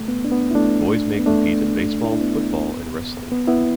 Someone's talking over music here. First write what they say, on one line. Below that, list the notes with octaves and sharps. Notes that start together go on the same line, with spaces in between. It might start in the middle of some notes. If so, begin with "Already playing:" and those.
Boys may compete in baseball, football, and wrestling.
Already playing: A3
B3
D4
B3
E4
A3 D4
B3
A3 D4
E4
D4
B3
B3
B3 E4